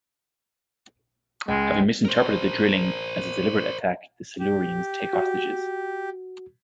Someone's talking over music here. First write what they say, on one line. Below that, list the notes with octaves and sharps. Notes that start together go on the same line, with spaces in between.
Having misinterpreted the drilling as a deliberate attack, the Silurians take hostages.
C#2 G#3
A#4 C5
G4
F#4